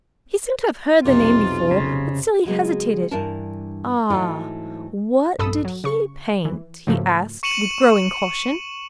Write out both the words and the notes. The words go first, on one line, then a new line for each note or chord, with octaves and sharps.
He seemed to have heard the name before, but still he hesitated. 'Ah--what did he paint?' he asked, with growing caution.
B1 F2 C3 F4
C#3
C#3 F#3 G#3 B3
G2 E3 D4 A#4 A5
G#2 E3 F#3 A3 F4
A#1 G2 A4 B5 D#6 E6
F#3
C#3 C#6
E3
G#2 C#3 F3 F#3 A3 A#3
C#6 C#7 D#7 E7 F#7